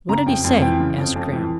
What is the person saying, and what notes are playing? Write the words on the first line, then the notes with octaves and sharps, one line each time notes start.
"What did he say?" asked Graham.
C#3 A#5
F2 G5
F2
E3 G5
C#3
F2
F2
E3